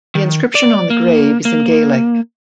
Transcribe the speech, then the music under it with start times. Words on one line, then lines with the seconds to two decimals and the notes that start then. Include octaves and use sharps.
The inscription on the grave is in Gaelic.
0.15 D#3
0.55 D5
0.90 A#3
1.45 A#3